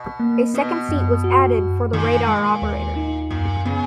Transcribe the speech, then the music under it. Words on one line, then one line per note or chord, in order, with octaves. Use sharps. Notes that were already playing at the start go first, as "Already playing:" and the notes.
A second seat was added for the radar operator.
Already playing: B2
A#3
B2 B3
F#2
F#4
F#2
A#2 D#3
G#3
D#2
D#4
F#2 A#2
C#3 B3